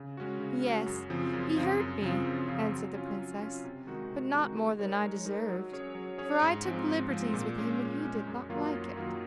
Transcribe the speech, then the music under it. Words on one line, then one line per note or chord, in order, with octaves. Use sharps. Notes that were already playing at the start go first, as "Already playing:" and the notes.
"Yes, he hurt me," answered the princess, "but not more than I deserved, for I took liberties with him, and he did not like it."
Already playing: C#3
G#3 C#4 F#4
C#3
G#3 C#4 F#4
F#2
C#3 F3 C4 F4
F#2
C#3 F3 C4 F4
F#2
C#3 F3 C4 F4
F#2
C#3 F3 C4 F4
F#3
C#4 F4
F#3
C#4 F4
C3
D#3 G#3 D#4 F#4
C3
D#3 G#3 D#4 F#4
G#3
D#4 A#4 C#5
G#3
D#4 A#4 C#5
F#3
C#4 G#4 C#5
F#3
C#4 G#4 C#5
G#2
F3 G#3 C4
G#2
F3 G#3 C4
A#2
G#3 C#4
A#2
G#3 C#4
F#2
D#3 F#3 A#3 F4
F#2
D#3 F#3 A#3 F4